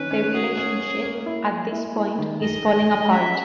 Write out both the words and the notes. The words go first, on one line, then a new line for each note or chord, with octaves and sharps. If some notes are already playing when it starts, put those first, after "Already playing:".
The relationship, at this point, is falling apart.
Already playing: D#3 C#4 B4
C#4
F#4 G#4
C#4
C#4
A#3
E4
A#3
E4
E4
D#3
G#4 D#5
G#3
G#4
C#4 E5